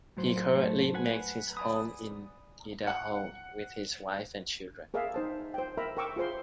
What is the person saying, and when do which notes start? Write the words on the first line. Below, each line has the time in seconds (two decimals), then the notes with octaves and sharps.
He currently makes his home in Idaho with his wife and children.
0.17 A2 F#3 C5
0.57 A3
0.94 B4 F#5 G#5
1.57 D5 G#5 B5 D#6
2.87 F#5
4.94 G#4 A#4 D5 E5 F5
5.14 D#4 C5 A5
5.54 C5 G5
5.77 A#4 E5 A#5 B5
5.97 A#4 G5 C#6 D6 E6
6.16 F4 G#4 C5 C6